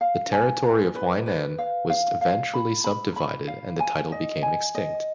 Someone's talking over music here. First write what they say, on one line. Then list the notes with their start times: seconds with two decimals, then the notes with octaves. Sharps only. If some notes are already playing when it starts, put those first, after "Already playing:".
The territory of Huainan was eventually subdivided and the title became extinct.
0.01 F5
0.32 G#5
0.64 B4
0.95 B4
1.26 B4
1.58 F5
1.90 F5
2.21 F5
2.54 B5
2.84 B5
3.16 B5
3.48 F5
3.80 G#5
4.12 D#5
4.43 G#5
4.75 D#5